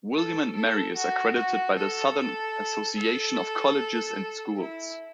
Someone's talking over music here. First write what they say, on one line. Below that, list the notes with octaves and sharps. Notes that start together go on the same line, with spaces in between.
William and Mary is accredited by the Southern Association of Colleges and Schools.
A4
A4
F#4
F#4
A4
A4
E4